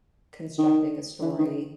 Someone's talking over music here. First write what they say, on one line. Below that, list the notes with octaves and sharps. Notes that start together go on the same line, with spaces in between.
constructing a story,
D#3
E3
D#3